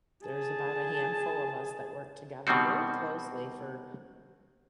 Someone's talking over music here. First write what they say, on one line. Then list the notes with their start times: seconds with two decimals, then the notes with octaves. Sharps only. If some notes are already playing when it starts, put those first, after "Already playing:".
there's about a handful of us that worked together very closely for
0.24 G#4 A5
2.47 B2 D#3 G3 C4 F#4